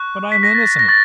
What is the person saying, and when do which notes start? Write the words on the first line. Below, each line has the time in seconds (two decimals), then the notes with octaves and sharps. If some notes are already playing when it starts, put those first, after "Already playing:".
"But I am innocent."
Already playing: C#6 F#6
0.32 B6
0.43 A#6
0.55 A6
0.66 A#6
0.79 A#6
0.88 C#6 A6